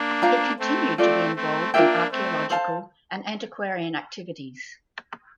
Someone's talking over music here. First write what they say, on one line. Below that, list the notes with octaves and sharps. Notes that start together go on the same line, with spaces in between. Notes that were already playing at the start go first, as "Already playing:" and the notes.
He continued to be involved in archeological and antiquarian activities.
Already playing: A#3 D4
F4 C5 F5 A#5
A3 C4
A3 C4 F4 A4 D5
A3 C4
A#3 D4 F4 A#4 E5 G5
A3 C4
A4 C5 F5 A5